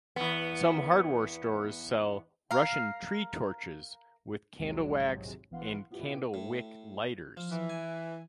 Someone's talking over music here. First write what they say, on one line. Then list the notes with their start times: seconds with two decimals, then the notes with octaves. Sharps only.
Some hardware stores sell "Russian tree torches" with candle wax and candle wick lighters.
0.16 E2 B3
2.51 A#4 F5
4.59 A#1 D#2 G#2 C3 F#3 G#3
5.51 A#1 E3 B3 F5 F#5 C6
5.90 B2 B3 E4 F4 G4 B4
6.34 A2
7.37 F3
7.51 E3
7.69 G#5